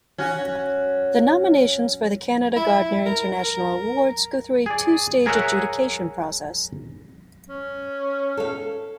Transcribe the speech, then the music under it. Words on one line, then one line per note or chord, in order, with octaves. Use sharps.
The nominations for the Canada Gairdner International Awards go through a two-stage adjudication process.
C#4 F#4
E4
A#4
A#4
G#4 D5
G#4 A#4 C#5 E5 F#5
C#4
A4 F5